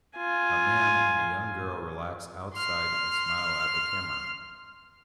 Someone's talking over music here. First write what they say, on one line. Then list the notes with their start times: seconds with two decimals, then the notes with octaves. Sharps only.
A man and a young girl relax outside and smile at the camera.
0.17 F4 G#5
2.54 C6 F6